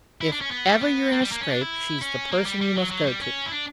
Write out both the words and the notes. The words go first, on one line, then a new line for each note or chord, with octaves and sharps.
"If ever you're in a scrape, she's the person you must go to."
E4
D4
C#4
B3
G3
B3
A#3
G3
A#3
C#4
D4
E4
C#4
A#3
G3
G3
F#3
F#3
G3
C#4
E4
D4